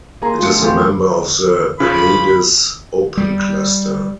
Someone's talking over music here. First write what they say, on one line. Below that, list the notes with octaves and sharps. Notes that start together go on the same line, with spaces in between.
It is a member of the Hyades open cluster.
A#3 G#4 D#5 A#5 C6
G3 A3 D4 F4 C#7
A2 E3 C#4 F4 G4 A4
C#3 F3 B5
G3